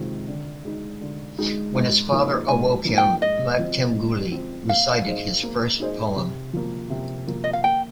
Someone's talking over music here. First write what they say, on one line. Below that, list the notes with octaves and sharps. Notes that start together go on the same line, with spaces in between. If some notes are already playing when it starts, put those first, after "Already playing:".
When his father awoke him, Magtymguly recited his first poem.
Already playing: C3 D#3 G#3 C4 F4
D3
G#3 D#4
D3
G#3 D#4
G#2
F3 A#3 D#4
G#2 G#5
F3 A#3 D#4
G5
G#2 D#5
F3 C4
G#2
F3 C4
A#3 F5
D#4 G#4 C5 D#5
A#3
D#4 G#4 C5 D#5
C3
F3 A#3
C3
F3 A#3
D#5
F5
A#3 G5